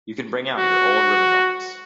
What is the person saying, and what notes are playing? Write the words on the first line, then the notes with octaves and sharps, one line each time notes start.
You can bring out your old ribbon-box.
F#4